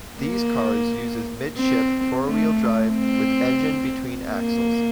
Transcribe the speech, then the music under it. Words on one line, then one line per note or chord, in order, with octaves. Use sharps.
These cars uses mid-ship, four-wheel drive, with engine between axles.
A#3
C4
A3
C4
A#3